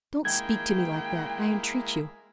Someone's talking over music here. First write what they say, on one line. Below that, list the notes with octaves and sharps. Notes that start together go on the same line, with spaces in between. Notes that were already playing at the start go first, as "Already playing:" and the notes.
"Don't speak to me like that, I entreat you."
G#3 A#3 E4 G5 G#6